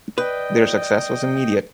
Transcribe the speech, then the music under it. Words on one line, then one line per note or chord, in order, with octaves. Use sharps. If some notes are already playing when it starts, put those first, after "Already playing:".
Their success was immediate.
B4 D5 D#5 G5